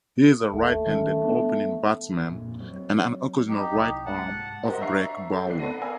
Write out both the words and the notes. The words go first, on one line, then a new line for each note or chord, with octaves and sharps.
He is a right-handed opening batsman and an occasional right arm off-break bowler.
G1 D#2 A3
D#3 G3 C#4
B3 D4
F2 A#2
F#3 C4
D#4 G4
C2
C2 G#2 F#5 A5
F#4 G4 A#4 C5 D#5 F#5
D4 E5 A#5 C#6 C7
A4 G5
C2 D#3 E4 D5 F#6 C7
B3 A4 A#6 D#7
A#4 D5 F5 G#5 E6